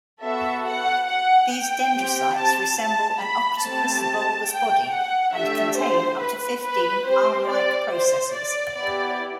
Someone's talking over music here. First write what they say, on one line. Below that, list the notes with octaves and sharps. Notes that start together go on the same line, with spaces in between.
These dendrocytes resemble an octopus bulbous body and contain up to fifteen arm-like processes.
B3 F#4 A4 E5
F#5
F#5
G5
C4 G4
A5
A5
B5
A3 C4 G4 A5
G5
F#5
A3 D4 G4 E5
C5
B4
B4
C4 G4 C5
D5
C5
D5
B3 E4 G4 D5